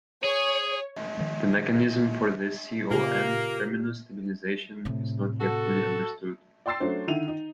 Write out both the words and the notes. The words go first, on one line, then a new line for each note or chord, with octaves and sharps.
The mechanism for this Co N terminus stabilization is not yet fully understood.
G#4 C#5
D#3 F3 G#3
A#2 C#3 A#3 F4 G4
A2 C3
F#4 A4
D5 G5 C6 E6 A6 C7
F#3 A3 C#4 D4 C5
D3 D#3 D#4 E4 D#7 F7
D#4